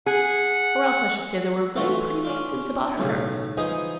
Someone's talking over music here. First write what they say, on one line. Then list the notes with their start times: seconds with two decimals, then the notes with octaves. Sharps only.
Or else I should say there were very pretty symptoms about her!'
0.06 G#4 F#5
1.76 E3 A3 F4 F#4 A4
2.25 C#4 D4 F4
2.98 B1 A2 C#3
3.57 E3 F3 D#4 G#4 G#5 D#6